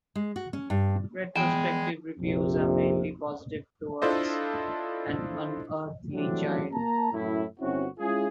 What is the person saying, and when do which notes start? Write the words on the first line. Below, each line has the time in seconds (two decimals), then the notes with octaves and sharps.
Retrospective reviews are mainly positive towards "An Unearthly Child".
0.15 G#3
0.36 F#4
0.53 C#4
0.70 G2
1.36 E2 G#3 B3 G#4 G5
2.19 A#1 F2 C3
4.02 D4 E4 F4 A4 C5 D#5
6.13 E3 F#3 G3 A3 C4 D4
6.72 A#3 A5 A#5
7.12 F#2 A2 E4
7.60 G1 C4 C#4 E4 F#4
7.99 G#3 C#4 E4 F4 G#4